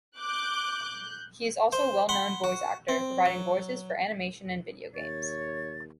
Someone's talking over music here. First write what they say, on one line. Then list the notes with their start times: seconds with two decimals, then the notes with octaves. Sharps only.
He is also a well-known voice actor, providing voices for animation and video games.
0.19 D6 F#6 G6
1.73 C5
2.09 F#5 B5 C6
2.44 F#4
2.89 C4
3.26 F#3
4.95 D#2 C#5 A6